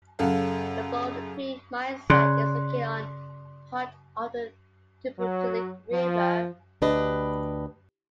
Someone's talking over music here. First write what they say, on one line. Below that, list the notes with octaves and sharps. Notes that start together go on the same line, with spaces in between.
The Boulder Creek mine site is located on part of the Tubutulik River.
F#2 C#3 A4 F5 F#5
C#3 D5 C6 F#6
F#3
F3
D2 D4 G4 B4 D#5